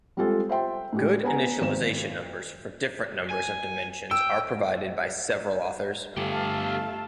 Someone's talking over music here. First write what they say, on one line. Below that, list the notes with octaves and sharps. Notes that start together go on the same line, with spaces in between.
Good initialisation numbers for different numbers of dimensions are provided by several authors.
G3 G#3 C4 F4 G4 A4
C5 E5 G5 C6
A2 G#3 G4
B3 B4 G#5 A#5
G#1 C5 E7
G#5
G5 E6
G2 D3 A3 B3 G4 A4 F5 A5